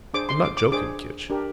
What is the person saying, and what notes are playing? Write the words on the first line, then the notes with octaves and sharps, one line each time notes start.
I'm not joking, Kinch.
D4 G#4 C5 D6
C6
D6
D6
D4 G#4 C5 D6
D4 G4 A#4